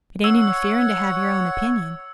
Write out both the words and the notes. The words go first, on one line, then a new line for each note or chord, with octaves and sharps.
It ain't interfering to have your own opinion.
C#5 F#5 E6